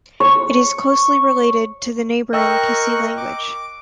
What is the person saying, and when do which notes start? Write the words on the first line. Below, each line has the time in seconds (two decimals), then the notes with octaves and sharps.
It is closely related to the neighboring Kissi language.
0.20 C#5
2.33 A#4 D#5 G5 C#6 E6 F#6
3.17 D6